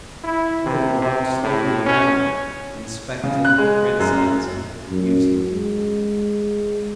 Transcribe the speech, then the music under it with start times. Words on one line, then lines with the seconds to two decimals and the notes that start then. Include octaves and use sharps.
Toad walked slowly round it, inspecting, criticising, musing deeply.
0.24 E4
0.65 C3
1.01 C3
1.42 A2
1.86 C#4
3.23 C#3
3.45 F#6
3.58 G#3
4.00 F#2
4.90 F#2
5.48 G#3